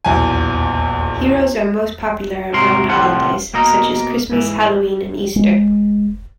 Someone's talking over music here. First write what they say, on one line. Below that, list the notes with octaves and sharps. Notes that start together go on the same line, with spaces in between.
Heroes are most popular around holidays, such as Christmas, Halloween and Easter.
D#1 B1 E2 G#5
G#2 C3 F#3 A#4 C6
C2 A2 F3 F4 C5 F#5
B2 A#3 A#4 D#5 A#5
G#2 E3
G#3